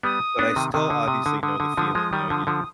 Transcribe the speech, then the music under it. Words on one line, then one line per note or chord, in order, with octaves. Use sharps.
but I still obviously know the feeling, you know, you'd
G3 B3 D#6
B3 D4
C3 D#3
C3 D#3 D#6
D3
C3
D3
D3 D#6
D3
D3 F3
F3 G#3
D#3 G3
D3 F3
D3 F3